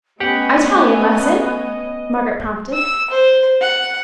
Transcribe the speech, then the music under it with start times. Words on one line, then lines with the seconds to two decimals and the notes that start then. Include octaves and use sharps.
"Italian lesson," Margaret prompted.
0.20 A3 B3 C#4 G4 D#5 F#5
2.73 E6
3.10 C5
3.61 F#5